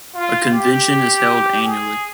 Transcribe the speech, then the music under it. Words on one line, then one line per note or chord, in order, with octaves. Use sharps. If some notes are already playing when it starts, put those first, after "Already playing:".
A convention is held annually.
F4
G4
G#4